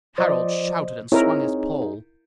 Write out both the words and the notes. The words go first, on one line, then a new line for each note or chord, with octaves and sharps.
Harald shouted and swung his pole.
F3 C5 D5 D#5
C4 D#4 E4 G#4 A#4 C#5